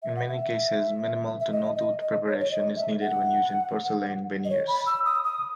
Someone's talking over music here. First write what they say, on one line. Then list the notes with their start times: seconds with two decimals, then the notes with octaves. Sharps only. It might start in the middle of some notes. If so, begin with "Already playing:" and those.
In many cases, minimal to no tooth preparation is needed when using porcelain veneers.
0.02 E5
0.16 F#5
0.28 E5
1.40 E5
1.52 D#5
1.76 D#5
2.01 D#5
2.27 C#5
2.40 C#5
2.51 D#5
2.76 E5
3.01 F#5
4.45 D#5
4.50 C#5
4.67 B5
4.86 E6
5.05 D#6
5.24 D#6